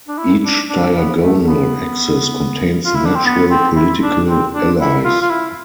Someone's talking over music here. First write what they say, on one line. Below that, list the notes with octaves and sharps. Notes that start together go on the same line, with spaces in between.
Each diagonal axis contains natural political allies.
D4
E4
D4
D4
B3
A3
B3
F4
E4
D4
C4
B3
C4
E4
D4
C4
D4
E4
F4
F4
E4